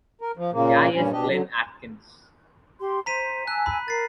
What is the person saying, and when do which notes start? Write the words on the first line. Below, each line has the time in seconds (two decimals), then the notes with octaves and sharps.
Gaius Glenn Atkins.
0.21 A#4
0.37 F3
0.53 A#2 C#3 A#3
0.95 G2 A#2 G3 C#4
1.12 B2 D4 G4 D#5
1.28 D3 F#3
2.80 G4 C6
3.06 C5 A#5 B6 D#7
3.47 G#5 A5 E6 F#6
3.66 B5
3.88 A#4 A6 C7